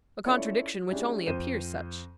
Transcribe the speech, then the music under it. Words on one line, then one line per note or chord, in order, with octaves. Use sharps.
A contradiction which only appears such.
C#4 E4 F4 A4 C#5 D5
G#3 C#4 D4 E4 G4
F2 C5 D#7 E7